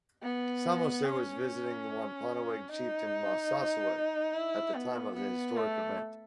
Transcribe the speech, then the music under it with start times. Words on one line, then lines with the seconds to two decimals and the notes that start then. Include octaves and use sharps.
Samoset was visiting the Wampanoag chieftain Massasoit at the time of the historic event.
0.23 B3
1.04 C#4
2.69 D#4
4.34 E4
4.74 B3
5.15 B3
5.56 A3